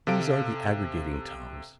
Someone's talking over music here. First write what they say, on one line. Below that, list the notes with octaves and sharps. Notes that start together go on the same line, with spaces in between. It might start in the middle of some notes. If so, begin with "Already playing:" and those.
These are the aggregating tongues.
C3 A4 F5 D7